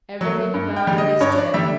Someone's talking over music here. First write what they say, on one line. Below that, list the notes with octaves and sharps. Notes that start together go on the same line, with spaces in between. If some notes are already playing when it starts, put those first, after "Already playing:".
Everything about it is dead.
F#3 A3
G2
G5
D3 G3
D#5
G2 C#5
D5
D3 G3 E5